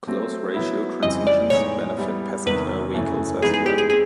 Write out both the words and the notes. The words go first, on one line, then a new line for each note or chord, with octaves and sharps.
Close-ratio transmissions benefit passenger vehicles as well.
F#3 A3 C4
F#3 B3 E4
F2 C#3 E3 G3 C4 D#5
D5
A2 E3 G#3 B3 D#4 C#5
G3 B3 E4
E2 C3 D#3 B4
F#2 C#3 E3 A3
E3 G#3 B3 D#4 G#4
G#4
G4
G#4
C4 G#4